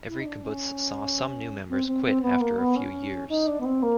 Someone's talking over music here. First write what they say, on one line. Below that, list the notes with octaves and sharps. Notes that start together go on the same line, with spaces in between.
Every kibbutz saw some new members quit after a few years.
E4
D#4
D4
C#4
C4
C4
C4
B3
A#3
B3
C#4
D#4
D4
B3
C4
A#3